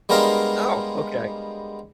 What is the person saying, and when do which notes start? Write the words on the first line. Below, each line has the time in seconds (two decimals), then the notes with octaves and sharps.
Oh, okay.
0.09 G3 G#3 B3 D4 A#4 F5